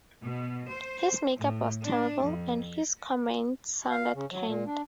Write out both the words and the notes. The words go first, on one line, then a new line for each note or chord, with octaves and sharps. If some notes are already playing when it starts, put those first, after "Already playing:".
His makeup was terrible, and his comments sounded canned.
B2
C5
A2
D4
F2
F5
C#3
F#3
A#2
D4